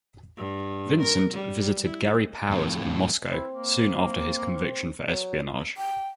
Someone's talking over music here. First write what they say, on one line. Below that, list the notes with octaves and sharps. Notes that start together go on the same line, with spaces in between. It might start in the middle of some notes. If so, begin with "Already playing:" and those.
Vincent visited Gary Powers in Moscow soon after his conviction for espionage.
G2
A#4
G3
E4
F2 A2
C4 E4
A#3
F#3
G5